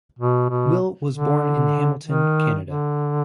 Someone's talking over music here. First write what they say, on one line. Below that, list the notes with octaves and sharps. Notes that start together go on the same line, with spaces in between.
Will was born in Hamilton, Canada.
B2
B2
D3
D#3
D3